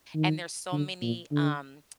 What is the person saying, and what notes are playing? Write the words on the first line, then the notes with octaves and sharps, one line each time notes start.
And there's so many, um
D#3
D3
A#2
D3